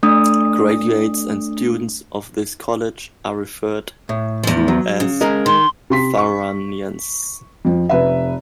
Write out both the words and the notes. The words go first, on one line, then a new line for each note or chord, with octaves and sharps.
Graduates and students of this college are referred to as "Faranians".
A3 D4 D#6
A2
E2 F3
F#3
C#3
G#3 G#4 A#4
D#3 C6
C3 C6 B6
C#6
F2 F3
F1 B4 E5